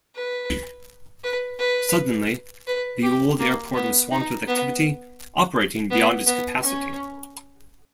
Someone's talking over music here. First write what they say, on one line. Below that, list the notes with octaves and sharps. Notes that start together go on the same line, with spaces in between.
Suddenly, the old airport was swamped with activity, operating beyond its capacity.
B4
B4
B4
B4
G4
A#3
B3
D#4
B3
B3
B3
C#4